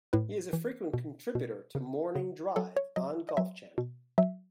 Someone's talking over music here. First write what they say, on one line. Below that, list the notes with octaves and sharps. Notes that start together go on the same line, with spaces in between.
He is a frequent contributor to "Morning Drive" on Golf Channel.
A2 B4
E3
B2
B2
C#3
C#3
F#3 A4
C#5
F#3 D#5
D#5
F#3 E5
B2
F#3 E5